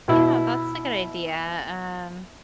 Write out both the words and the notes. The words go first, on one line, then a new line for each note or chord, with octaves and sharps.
Yeah, that's a good idea. Um,
B2 E4